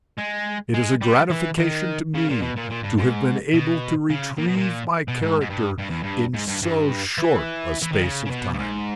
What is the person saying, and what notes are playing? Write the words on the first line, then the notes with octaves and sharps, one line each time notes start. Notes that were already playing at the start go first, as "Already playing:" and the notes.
"It is a gratification to me to have been able to retrieve my character in so short a space of time."
G#3
G#3
G3
E3
D#3
C#3
A#2
B2
A#2
A#2
G2
G#2
B2
C#3
A#2
B2
A#2
B2
G#2
G#2
G2
G2
E2
G2
G#2
G2
G2
E3
E3
D#3
C#3
C#3
B2
G2
G#2